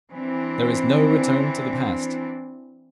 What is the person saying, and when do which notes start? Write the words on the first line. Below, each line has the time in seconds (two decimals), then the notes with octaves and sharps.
There is no return to the past.
0.12 E3 C4 D4